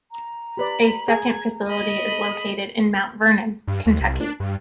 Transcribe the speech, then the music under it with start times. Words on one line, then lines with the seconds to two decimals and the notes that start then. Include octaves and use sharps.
A second facility is located in Mount Vernon, Kentucky.
0.12 A#5
0.57 G4 B4 D5 B5
1.08 G#4 G#6
1.68 D#5 B5
2.12 G#4 A4
3.67 G2
3.86 D#2
4.01 C2
4.21 D4
4.40 G2